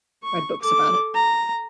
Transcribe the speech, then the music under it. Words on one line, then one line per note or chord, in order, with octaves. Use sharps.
I read books about it.
C#6
A4 D6
A#5